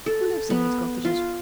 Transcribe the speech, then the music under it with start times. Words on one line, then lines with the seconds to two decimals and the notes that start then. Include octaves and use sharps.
Who lives in these cottages?'
0.06 A4
0.50 B3
1.05 F4